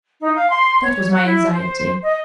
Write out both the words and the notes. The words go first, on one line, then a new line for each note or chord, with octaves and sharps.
That was my anxiety.'
D#4
F5
C6
C#5
F#5
E4
C5
D#5